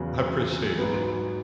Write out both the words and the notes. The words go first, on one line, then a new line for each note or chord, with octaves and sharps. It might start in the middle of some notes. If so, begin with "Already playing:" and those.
I appreciate it.
Already playing: E2 C#3 F#3
G#2 F#3 B3